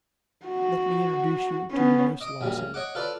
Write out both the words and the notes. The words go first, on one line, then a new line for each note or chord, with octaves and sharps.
'Let me introduce you to Miss Lawson.
F#4
B3 C#4
D#5 D6 D#6
A#1 F#2 C#3 G3
C#3
C#5 D#5 F#5 D6
F4 A4 B4 D5